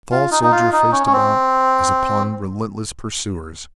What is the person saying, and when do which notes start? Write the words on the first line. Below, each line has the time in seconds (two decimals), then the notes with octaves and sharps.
The tall soldier faced about as upon relentless pursuers.
0.12 F4
0.31 D#4
0.43 D#4
0.52 F4
0.73 D#4
0.92 C#4
1.07 C#4
1.13 C4